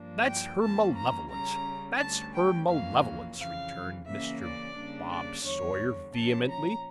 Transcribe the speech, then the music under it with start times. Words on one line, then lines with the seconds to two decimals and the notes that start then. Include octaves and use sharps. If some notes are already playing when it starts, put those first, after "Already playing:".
'That's her malevolence--that's her malevolence,' returned Mr. Bob Sawyer vehemently.
Already playing: G2 F3 A#3 D4
0.27 G5
0.61 F2 E3 A#3 C#4 A5
0.96 A#5
1.30 C#3 G3 C#4 A#5
1.99 D2 D3 G3 C#4 A5
2.34 G5
2.68 F2 E3 A#3 C#4 F5
3.37 F2 C#3 E3 F5
4.06 C#3 E3 A#3 C#4 E5
4.41 D5
4.75 C#3 G3 A#3 D4
5.10 D5
5.44 E2 D3 G3 C#5
6.14 A#2 F3 C#4 A5
6.48 A#5